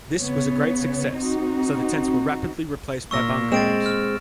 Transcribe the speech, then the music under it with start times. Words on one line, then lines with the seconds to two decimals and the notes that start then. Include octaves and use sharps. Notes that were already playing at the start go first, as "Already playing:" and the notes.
This was a great success, so the tents were rapidly replaced by bungalows.
0.16 C#3 B3 C#5
1.15 C4 D#4 F#4
3.11 A#2 C#6 E6 A#6
3.52 G#3 C4 A6 D7 E7
3.86 F6